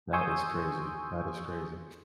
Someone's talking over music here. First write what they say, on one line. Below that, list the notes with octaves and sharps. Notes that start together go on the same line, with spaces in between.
That is crazy. That is crazy.
G#5 C6 C#6 D#6 E6 G6